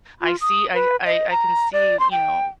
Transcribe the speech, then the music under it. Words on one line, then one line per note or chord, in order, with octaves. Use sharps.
I see I I I can see, you know,
F4
D#6
B4
D#5
A#5
D5
C6
G5